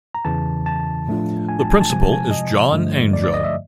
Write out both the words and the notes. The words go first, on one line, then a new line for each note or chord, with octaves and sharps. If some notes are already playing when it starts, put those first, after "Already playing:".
The principal is Jon Angell.
A#5
E2 C#3 E3 A5
A5
A2 F3 A3 D4 F4
G#5
A5
G#5
A5
C3 F3 G#3 G#5
A5
G#5
D#5
G2 D3 F3 A3
D5
D5
D#5
E5